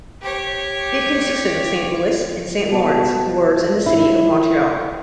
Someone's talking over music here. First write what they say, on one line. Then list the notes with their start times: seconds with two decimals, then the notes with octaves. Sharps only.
It consisted of Saint Louis and Saint Lawrence wards in the city of Montreal.
0.22 G4 C#5
2.72 B2 A5
3.86 E4